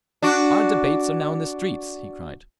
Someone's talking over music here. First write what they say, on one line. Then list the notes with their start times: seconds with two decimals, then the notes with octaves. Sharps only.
"Our debates are now in the streets," he cried.
0.22 D4 F#4